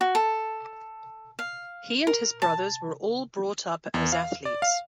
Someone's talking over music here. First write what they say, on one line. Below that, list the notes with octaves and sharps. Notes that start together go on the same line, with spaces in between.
He and his brothers were all brought up as athletes.
F#4
A4
F5
A#4
A5
E2
F5
D5
F5